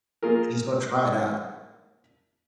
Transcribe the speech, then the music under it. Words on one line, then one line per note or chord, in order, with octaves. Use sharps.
just go try it out.
A#3 F4 G#4 A#4